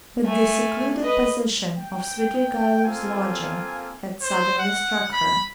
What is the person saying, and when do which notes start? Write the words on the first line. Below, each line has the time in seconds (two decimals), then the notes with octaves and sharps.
But the secluded position of Svidrigailov's lodging had suddenly struck her.
0.24 A3 G#5
1.02 B4 D#5
1.78 G5
2.84 A#3 C4 F4 A4 G#5
4.22 C5
4.59 F#5
5.13 B5